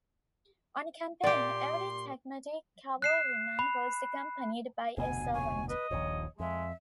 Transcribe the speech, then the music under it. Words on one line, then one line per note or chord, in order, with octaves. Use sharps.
On campaign, every tagmatic cavalryman was accompanied by a servant.
A#2 G4 D5 C6
F#6 C7 E7
B5
F1 D2 B2 G#5
C#5 G#5
B4 D#5
D#1 A#1 D#2 C#5
F2 G#3 E5